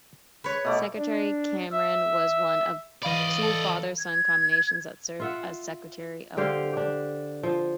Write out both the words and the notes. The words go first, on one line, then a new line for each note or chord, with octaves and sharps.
Secretary Cameron was one of two father-son combinations that served as Secretary of War.
B4 C#5
B2 A3 D6
D4
E5
E3 D5 D#5 F5 B5
A4
G#6
F4 E5 F#5
D3 G4 C5 F5
D4 G4
F3